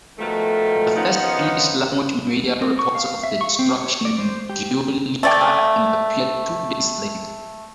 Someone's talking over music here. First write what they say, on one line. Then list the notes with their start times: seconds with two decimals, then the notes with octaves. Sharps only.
The first English-language media reports of the destruction in Guernica appeared two days later.
0.19 B2 D#3 F3 A3
0.96 D#3 F3 B3 C#4 D#4 F4
2.61 C4
2.79 C#6
2.95 F5
3.24 E5
3.41 C#6
3.59 C4
3.76 C#5
4.05 D5
4.18 C5
4.50 G4
5.23 A3 D5 G5